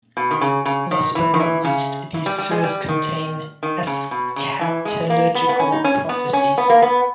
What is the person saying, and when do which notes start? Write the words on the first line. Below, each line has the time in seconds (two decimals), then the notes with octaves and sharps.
Last but not least these surahs contains eschatological prophecies.
0.17 B2
0.31 D#3
0.41 C#3
0.65 C#3
0.91 D#3
1.15 E3
1.34 D#3
1.40 E3
1.65 C#3
2.14 E3
2.26 G3
2.38 G3
2.51 G#3
2.63 G3
2.89 D#3
3.63 D#3
3.87 C#3
4.11 B2
4.36 C#3
4.61 E3
4.85 G#3
5.10 A#3
5.35 B3
5.49 B3
5.60 C#4
5.72 D#4
5.84 C#4
6.09 B3
6.33 C#4
6.58 B3
6.70 A#3
6.82 B3